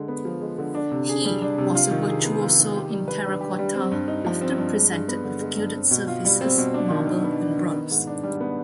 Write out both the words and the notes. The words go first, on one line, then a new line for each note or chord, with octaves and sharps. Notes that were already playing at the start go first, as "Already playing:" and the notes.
He was a virtuoso in terracotta, often presented with gilded surfaces, marble and bronze.
Already playing: D3 G#3
B3
F3
G#3
D3
D4
C3
G#4
G3
D4
C3
F4
D#3
G#4
B3
F4
D#3
G4
G3
B4
D4
G4
G3
C4
G2
D#4
F3
C4
G2
G#3
G2
B3
D3
G#3
G2
C4
B2
F4
G3
C4
B2
D4
D#3
D#3
B3
D4
D#3
B3
G#2
D4
G3
B3